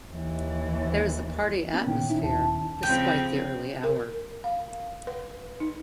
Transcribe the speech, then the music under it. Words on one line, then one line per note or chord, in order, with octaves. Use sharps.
There is a party atmosphere, despite the early hour.
D#2 E3
A#3 B3 C#4
A#2 D#3 G5
D#4 E4
D#2 A5
C#3 F3 C4 G4
A#4
F5
B4
D#4